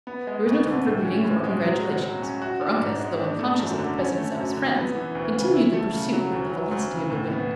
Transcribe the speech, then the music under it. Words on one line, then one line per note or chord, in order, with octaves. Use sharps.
There was no time for greetings or congratulations; for Uncas, though unconscious of the presence of his friends, continued the pursuit with the velocity of the wind.
B3
G#3
D2
D3
A2
C#4
A2
G#3
F#3
F#4
F#3
C#4
F#4
D4
G#2
G#3
D4
A3
F#2
D3
C#4
A3
F#2
D3
B3
E3
D2
C#3
E4
A3
C#3
F#3
D2
F#3
D2
C#3
A2
B3